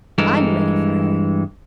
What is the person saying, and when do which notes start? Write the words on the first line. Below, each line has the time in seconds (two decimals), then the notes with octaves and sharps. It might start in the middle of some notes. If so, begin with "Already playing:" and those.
'I'm ready for her.
0.18 G2 E3 G#3 A4 A#4